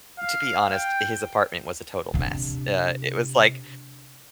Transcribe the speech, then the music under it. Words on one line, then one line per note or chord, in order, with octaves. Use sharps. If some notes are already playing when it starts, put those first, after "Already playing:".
to be honest, his apartment was a total mess. Uh, it was like
F5
G5
C3 D4